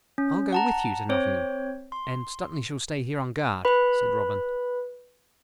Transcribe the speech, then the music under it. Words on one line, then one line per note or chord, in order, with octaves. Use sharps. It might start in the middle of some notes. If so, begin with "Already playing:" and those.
"I'll go with you to Nottingham--and Stuteley shall stay here, on guard," said Robin.
C#4
F#5 A5 A#5
C4 C5 C#5
C6
B4 B5